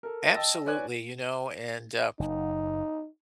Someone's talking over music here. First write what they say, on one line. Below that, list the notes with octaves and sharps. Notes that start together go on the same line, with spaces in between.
Absolutely, you know, and, uh,
A4 A#4
D#5 G5 A5 E6 A6 A#6
B4 C#5 D5 G#5 F#6 G#6
F#1 D#4